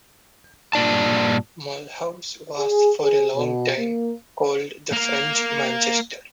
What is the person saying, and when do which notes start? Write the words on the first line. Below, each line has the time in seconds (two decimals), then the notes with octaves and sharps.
Mulhouse was for a long time called the French Manchester.
0.73 G2 A#2 D5 A5
2.58 G#4
3.01 G#4
3.35 B2
3.78 A#3
4.93 A#3 A#4